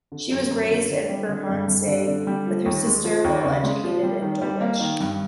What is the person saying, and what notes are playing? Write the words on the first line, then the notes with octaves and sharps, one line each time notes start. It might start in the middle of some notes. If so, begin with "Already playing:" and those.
She was raised in Bermondsey with her sister while educated in Dulwich.
D3
F#2
F#2
D3
D3
G3
D3
G2
G2
D3
D3
G3
F3
D#2
G#3
F3
D#2
C#3
G#3
F3
G3
D#3
G3
A#3
D#3
G2